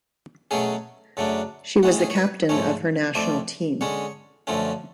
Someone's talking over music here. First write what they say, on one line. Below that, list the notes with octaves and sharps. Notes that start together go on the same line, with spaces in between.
She was the captain of her national team.
B2 F#3 A3 C#4 G#4
F#2 C#3 F#3 A3 D4
A2 G#3 C#4 F#4
G#4
C#5
B4
G#2 F3 A3 C#4 C#5
F2 F3 A3 D5
D3 G#3 C#4 C#5
F#2 D3 F3 A3 C#4